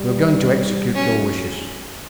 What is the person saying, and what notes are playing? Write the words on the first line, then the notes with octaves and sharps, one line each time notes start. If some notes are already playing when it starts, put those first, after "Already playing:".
"We are going to execute your wishes."
Already playing: G3
F#3 C#4